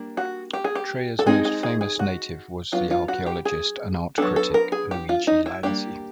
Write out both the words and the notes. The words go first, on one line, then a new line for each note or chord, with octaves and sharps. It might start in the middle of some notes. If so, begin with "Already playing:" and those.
Treia's most famous native was the archaeologist and art critic Luigi Lanzi.
Already playing: G3 A#3 D4
F#4
G4
G#4
G4
A4
G#3 C4 D#4 G#4
G#4
G#4
G#4
F#4
F#3 B3 D4 F4
F4
F#4
G4
G#4
F#3 B3 D4 A4
A4
A#4
G#4
G4
F4
D#4
E4
G3 A#3 D4 G4